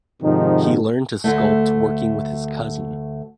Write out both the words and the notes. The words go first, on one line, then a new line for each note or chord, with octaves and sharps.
He learned to sculpt working with his cousin.
G#2 C3 D#3 F3 D#4
D2 G#2 A3